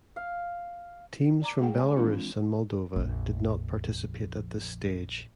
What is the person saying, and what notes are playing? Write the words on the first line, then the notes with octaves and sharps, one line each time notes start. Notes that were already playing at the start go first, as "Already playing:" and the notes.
Teams from Belarus and Moldova did not participate at this stage.
F5
D5 A5 A#5 D6
G#3 A3 G#4 F#5 G5
C#5 G#5
E3 F3 G#3 C4 D4 F4
A#1 F2